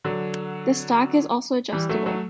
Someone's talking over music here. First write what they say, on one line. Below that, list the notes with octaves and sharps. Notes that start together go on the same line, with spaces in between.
The stock is also adjustable.
D3 F#3
E3 G3
F#3 A3
F#3 A3